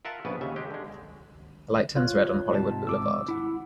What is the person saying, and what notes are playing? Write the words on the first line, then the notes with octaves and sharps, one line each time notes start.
A light turns red on Hollywood Boulevard.
F4 A#4 E5 F#5 A5
A#1 C#3 B3 B4
D#2 C#3 E5
G#3 G4
D3 G#3
F4 C#5 F#6
G#2 C3 A5
D6 E6
E4 F#5